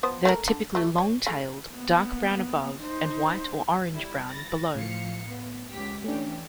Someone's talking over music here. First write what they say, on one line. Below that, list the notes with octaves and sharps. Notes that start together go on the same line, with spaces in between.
They are typically long-tailed, dark brown above, and white or orange-brown below.
F3 B3 C5
A3 A4 A#4
D3
F#3 A3
C#5
A3 G#4
A#3 B3
D#4 C5
G3 E4
B5 A6 A#6
A2 F3 F5 C#7
B3
C#2 G4 B6
E3 A3 C#4 D4 G4